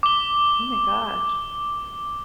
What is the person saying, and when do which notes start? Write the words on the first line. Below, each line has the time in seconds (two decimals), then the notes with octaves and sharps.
Oh my gosh.
0.03 D6 G7